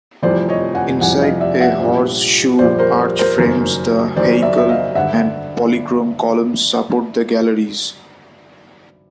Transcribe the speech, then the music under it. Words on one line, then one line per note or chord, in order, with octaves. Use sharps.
Inside, a horseshoe arch frames the heichal and polychrome columns support the galleries.
F1 F2 C3 E3 G3 C5 D5
C#5 D#5
F#5 G#5
F1 F2 C3 E3 G3 F#5 G#5
D#5 F5
D5 E5
E5 F#5
A#1 A#2 G3
A#1 A#2 G3 C5 D5
A#4 C5
A#4 C5
F#1 F#2 D#3
F#1 F#2 D#3 C5 D5
D5 E5
E5
D#5 F5
G#1 G2 D3 E5 F#5